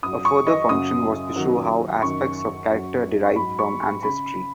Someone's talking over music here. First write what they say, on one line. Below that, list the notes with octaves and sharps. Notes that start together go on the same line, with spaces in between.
A further function was to show how aspects of character derive from ancestry.
F#2 F#3 D#6
C#6
D#5
F#2 C#3 F#3 D#6
F#2 D#3 F#3
F#2 D#3 F#3 C#6
F#2 F#3
C#6
G#2 F#3 B5
C#6
C#6
C#3 B5